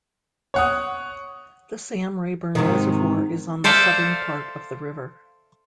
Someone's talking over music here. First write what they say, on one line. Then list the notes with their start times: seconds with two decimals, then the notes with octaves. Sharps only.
The Sam Rayburn Reservoir is on the southern part of the river.
0.54 C#5 F#5 D#6
2.55 G#2 C3 D#3
3.64 A4 C5 D5 E5 F5